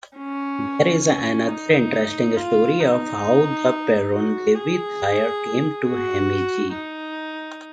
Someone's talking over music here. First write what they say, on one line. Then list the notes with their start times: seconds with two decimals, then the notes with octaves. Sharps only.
There is another interesting story of how the Perun Devi Thayar came to Hemmige.
0.18 C#4
1.05 C#4
1.49 D#4
2.36 F4
2.80 D#4
4.11 F#4
4.55 G#4
5.87 F#4
6.74 D#4